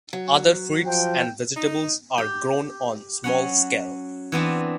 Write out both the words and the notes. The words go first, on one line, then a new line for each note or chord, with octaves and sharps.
Other fruits and vegetables are grown on small scale.
F#3
F3 G5
D#4
G4
F#3 C#4 F#5
E3 B3 C4 D4